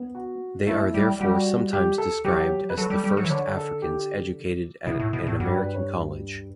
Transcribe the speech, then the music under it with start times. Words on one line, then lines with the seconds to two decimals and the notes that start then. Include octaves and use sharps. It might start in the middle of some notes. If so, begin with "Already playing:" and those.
They are therefore sometimes described as the first Africans educated at an American college.
Already playing: B3
0.15 F#4
0.67 A3 E4
0.94 G3
1.21 G3 F#4
1.73 G4
1.98 A4
2.25 F#3 G4
2.70 B4
2.77 F#3 A4
2.90 G3
3.04 G3
3.17 F#3
3.24 E3
3.30 D3 C#5
3.56 A4
3.82 G4
4.86 B2 E4
4.99 A2
5.13 B2
5.27 A2
5.39 G2 F#4
5.57 B4
5.75 C#5